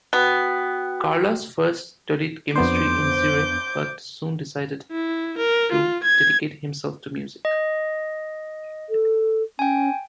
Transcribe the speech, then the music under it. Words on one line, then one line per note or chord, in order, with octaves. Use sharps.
Carlos first studied chemistry in Zurich, but soon decided to dedicate himself to music.
B3 F#4 G5
F2 B3 D4 C5 D6 G6
E4
A#4
F4
G#6
D#5
A4
C#4 G5 G#5